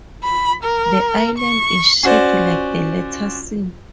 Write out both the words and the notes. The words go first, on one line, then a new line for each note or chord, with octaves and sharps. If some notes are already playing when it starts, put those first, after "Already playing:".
The island is shaped like the letter 'C'.
B5
A#4
C#6
C#4 F#4 C5 D5